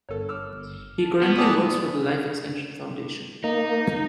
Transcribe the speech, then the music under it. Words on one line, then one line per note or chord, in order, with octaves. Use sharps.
He currently works for the Life Extension Foundation.
G1 A4 C#5
D6 E6 F6
A5
B3 F#4
E3 G3 E4 F#4 G#4 D5 A5 E6
A#3 D#4